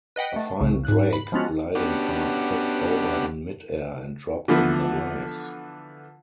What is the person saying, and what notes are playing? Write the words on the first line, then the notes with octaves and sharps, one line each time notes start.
A fine drake gliding past tipped over in midair and dropped in the rice.
B4 D#5 F#5 G5
A3
C2 C#3
G#2 F#6
B5
F3 G#3 B3 C#4 F4 F#4
B3 C#4 D4 F#4 G4
D3 E3 F3 B3